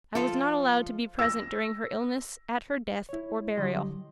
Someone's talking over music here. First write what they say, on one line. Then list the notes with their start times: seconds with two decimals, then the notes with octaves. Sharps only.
I was not allowed to be present during her illness, at her death, or burial.
0.15 F3 F4 A4
1.19 E6 A#6
3.09 E4 C#5
3.57 D3 F#3 G3 G4 D#5 C6